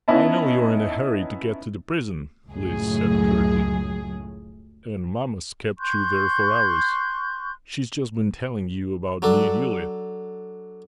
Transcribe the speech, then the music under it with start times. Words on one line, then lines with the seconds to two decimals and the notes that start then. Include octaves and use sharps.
"I know you are in a hurry to get to the prison," Lise said curtly, "and mamma's kept you there for hours; she's just been telling you about me and Yulia."
0.08 B3 C#4 D#4 E4 D#5 A5
2.49 C#2 F#2 A2 F#3 G#4
5.79 C6 C#6 F#6 G6
9.22 F#3 D4 A4